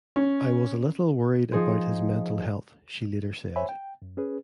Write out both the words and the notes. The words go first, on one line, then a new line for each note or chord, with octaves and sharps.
"I was a little worried about his mental health," she later said.
C#4
F3 D#4 G#4 C5
C5 C#5 E5 G#5 B5
G5
F#2
C#4 G#4 B4